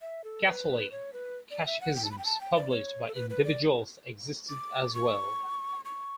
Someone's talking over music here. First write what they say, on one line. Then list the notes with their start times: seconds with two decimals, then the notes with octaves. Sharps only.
Catholic Catechisms, published by individuals existed as well.
0.01 E5
0.24 A4
0.46 B4
0.91 C#5
1.13 B4
1.51 D5
1.66 E5
1.81 F#5
1.96 G5
2.04 A5
2.11 B5
2.18 G5
2.25 A5
2.41 G5
2.56 D5
2.71 C#5
3.07 A4
3.15 B4
3.30 B4
3.45 D5
4.49 D6
4.94 C#6
5.85 C#6